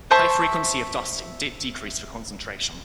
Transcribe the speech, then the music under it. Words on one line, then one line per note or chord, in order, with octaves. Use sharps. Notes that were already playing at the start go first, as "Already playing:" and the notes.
High frequency of dusting did decrease the concentration.
C5 E5 A5 C#6